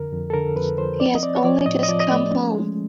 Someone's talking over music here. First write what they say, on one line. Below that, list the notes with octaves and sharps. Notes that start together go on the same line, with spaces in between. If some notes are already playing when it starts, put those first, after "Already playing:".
He has only just come home.
Already playing: F2 D3 A#4
F2
A4
D3 A#4
F2 B4
F3 C5
C4 D5
D#5
C4 D5
C#5
F3 D5
A2 D#5
D#5
F3 D5
D#5
A3 D5
C#4
G#3